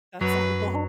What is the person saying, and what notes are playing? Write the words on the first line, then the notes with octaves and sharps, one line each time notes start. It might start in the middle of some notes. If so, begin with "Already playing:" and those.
That's a lot.
F#2 F#3 B4